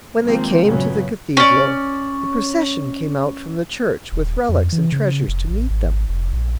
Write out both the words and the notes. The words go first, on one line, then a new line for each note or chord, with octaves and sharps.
When they came to the cathedral, the procession came out from the church with relics and treasures to meet them.
D#3 F3 F#3 G#3 A#3 C4
G2 A#2 C#3 F#3 B3 C#4
C#4 D5
D#1
F2
E3
C#3
F1
A1
G#1
F1
A#1